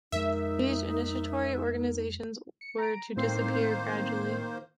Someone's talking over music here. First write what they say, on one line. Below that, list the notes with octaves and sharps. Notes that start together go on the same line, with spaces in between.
These initiatory organizations were to disappear gradually.
F2 G#3 D#4 A#4 E5
C#7
A#5 D7
A2 D#3 A#3 C4 C5 C7